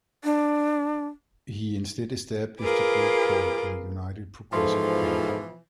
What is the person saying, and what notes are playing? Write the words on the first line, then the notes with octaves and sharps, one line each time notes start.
He instead established a group called the United Progressive Party.
D4
F4 G#4 A#4 B4 D6
G#2 B2 E3 F3 A4 C6